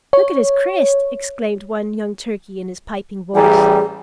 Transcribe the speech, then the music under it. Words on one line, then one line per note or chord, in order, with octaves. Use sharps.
"Look at his crest!" exclaimed one young Turkey in his piping voice.
C#5
A1 E3 G3 G#4 G5 G#5 A#5